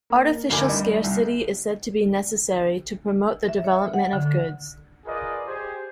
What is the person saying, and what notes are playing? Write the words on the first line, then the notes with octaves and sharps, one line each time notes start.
Artificial scarcity is said to be necessary to promote the development of goods.
A#3
F1 D2 D4 A#4 G#5 D6
D#3 G3 D#5
C2
E5
C#5
F#5
D3
F4 G#4 A#4 B4 D5 D#5
G4 G#4 C5